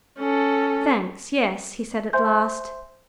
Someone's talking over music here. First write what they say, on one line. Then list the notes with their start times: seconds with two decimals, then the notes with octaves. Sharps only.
"Thanks, yes," he said at last.
0.19 C#4 A4
2.13 C5 E5 G#5 C6 G6